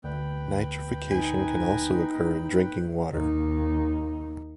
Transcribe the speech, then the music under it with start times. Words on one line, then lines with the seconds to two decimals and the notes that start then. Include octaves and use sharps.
Nitrification can also occur in drinking water.
0.04 D2 B4 G5
1.12 D#4 G#5
3.10 D#2 D#4